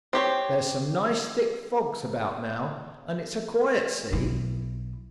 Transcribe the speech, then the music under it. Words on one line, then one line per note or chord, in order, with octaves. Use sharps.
There's some nice thick fogs about now, and it's a quiet sea.
C4 G4 C#5
B1 E4